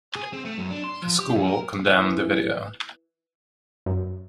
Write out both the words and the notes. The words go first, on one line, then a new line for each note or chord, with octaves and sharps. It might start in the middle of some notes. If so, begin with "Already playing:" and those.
The school condemned the video.
G#4
C4
A3
F#2
D4
C6
F3
G4
F#2
A#4
E3
F#2